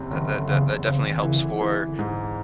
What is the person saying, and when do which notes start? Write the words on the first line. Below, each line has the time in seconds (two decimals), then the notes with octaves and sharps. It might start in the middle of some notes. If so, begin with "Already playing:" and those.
that that that definitely helps for,
Already playing: F#1 C3
0.10 F#1 D#3
0.28 D3
0.47 E2 C#3
0.84 C#3 C4
1.03 D#3
1.22 C#3 E3
1.41 D3
1.61 E3
1.85 D3
1.99 G#2